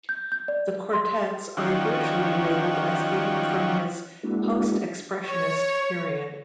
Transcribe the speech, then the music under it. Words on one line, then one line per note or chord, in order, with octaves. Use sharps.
The quartets are usually labeled as being from his "Post-Expressionist" period.
G6
G6
D5
C6
D#3 F3 G3 C#4 F#4
G#3 A#3 D4 E4 F#4
C#5